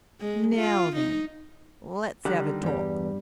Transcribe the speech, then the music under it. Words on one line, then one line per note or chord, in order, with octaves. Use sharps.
'Now then, let's have a talk.
G#3
F4
D#4
D3 D#3 G3 G4 F#5
E2 G2 G3